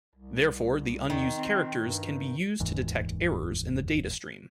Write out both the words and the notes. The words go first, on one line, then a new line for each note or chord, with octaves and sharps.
Therefore, the unused characters can be used to detect errors in the data stream.
C2
E2 D#3
C4
G2
F1 D#2 G#2 E3